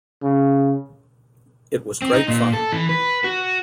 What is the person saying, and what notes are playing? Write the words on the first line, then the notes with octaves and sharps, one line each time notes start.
It was great fun.
C#3
C4
D#4
A#2
A4
E3
B4
F#4